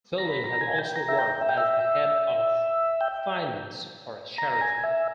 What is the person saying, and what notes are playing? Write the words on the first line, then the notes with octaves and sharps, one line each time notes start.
Fielding has also worked as the head of finance for a charity.
A#5
B5
A#5
G#5
G5
A#5
E5
G5
E5
G5
E5
G5
A#5
G#5
E5